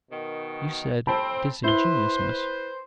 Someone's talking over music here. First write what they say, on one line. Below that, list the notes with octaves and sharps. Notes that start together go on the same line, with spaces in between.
You said disingenuousness.'
B2 D#3
A2 C4 A5 B5
E4 B4 C5 G7